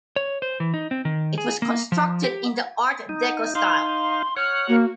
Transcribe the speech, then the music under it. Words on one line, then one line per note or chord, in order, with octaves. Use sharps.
It was constructed in the Art Deco style.
C#5
C5
E3
D#4
C4
D#3
G#4
A#3
F3
G4
D#4
D#4 F5 C6
C#5 F#5 F6
A#3 F#4